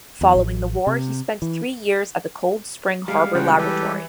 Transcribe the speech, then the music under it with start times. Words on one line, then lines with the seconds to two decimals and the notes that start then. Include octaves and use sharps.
Following the war he spent three years at the Cold Spring Harbor Laboratory.
0.21 E2
0.35 A1
0.87 C3
1.42 E3
3.08 G3 G#3 F5
3.35 C#3 F4 F#5 G5
3.59 E3 G4 A4 B4